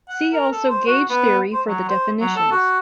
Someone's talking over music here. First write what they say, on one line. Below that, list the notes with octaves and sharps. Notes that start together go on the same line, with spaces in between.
See also gauge theory for the definitions.
F#5
A#4
A4
C5
F#4
B3
C5
F#3
C5
F#3
A4
F#4